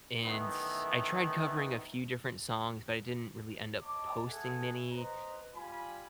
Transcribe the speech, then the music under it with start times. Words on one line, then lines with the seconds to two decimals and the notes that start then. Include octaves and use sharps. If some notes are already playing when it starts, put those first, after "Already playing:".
and I tried covering a few different songs, but I didn't really end up posting many.
0.23 F#2 D#3 E3 A3 B3
3.82 C#5 D#5 A5 D6
4.27 G#4 A4 E5 F#5 G#5
4.91 B4 C5 D#5 A#5
5.55 G3 F4 G#5 B5